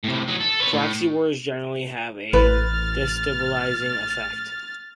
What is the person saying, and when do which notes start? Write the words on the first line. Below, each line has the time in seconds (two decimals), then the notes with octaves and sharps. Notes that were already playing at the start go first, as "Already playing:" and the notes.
Proxy wars generally have a destabilizing effect.
0.04 A2 C3
0.28 F#3 D#4
0.41 A4
0.60 B4 C#5
0.73 A2
2.33 A1 B4 F6 A6